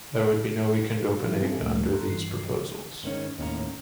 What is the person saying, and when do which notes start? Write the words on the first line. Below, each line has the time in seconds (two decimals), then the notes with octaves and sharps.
There would be no weekend opening under theses proposals.
1.24 E3 F#3 C#4 E4
1.41 C4 F4 A4 E5 G#5
1.61 D2 A#2 F3 G3 A3 C#4
1.93 A4 A#5 C6 F#6
2.10 G2 E3 C7
3.03 G#2 D#3 C#4
3.38 D#2 A2 C#4 A#5